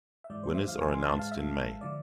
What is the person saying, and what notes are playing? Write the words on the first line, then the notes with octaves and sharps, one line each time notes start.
Winners are announced in May.
E5
G#2 E3 G#3 D5
C5
E5
G#2 E3 G#3 F5
G#5
C6
G#2 G#3 A5
F5
E5
G#2 G#3
D3 F3 D5